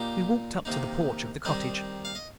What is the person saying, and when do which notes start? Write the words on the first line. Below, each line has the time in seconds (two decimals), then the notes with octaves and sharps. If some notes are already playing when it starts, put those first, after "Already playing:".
We walked up to the porch of the cottage.
Already playing: A#2 A#3 D#4 G4
0.65 C3 D#3 A#3 D#4
1.45 D#3 G3 C4 D#4 D#5
2.05 F5
2.15 D#5